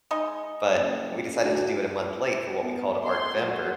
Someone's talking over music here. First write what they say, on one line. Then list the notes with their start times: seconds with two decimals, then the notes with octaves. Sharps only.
But, we decided to do it a month late for what we called "Artvember",
0.11 G#3 D#4 D#5
0.75 F#1
1.42 D2 F#4
2.59 B3
3.05 C6
3.39 F#3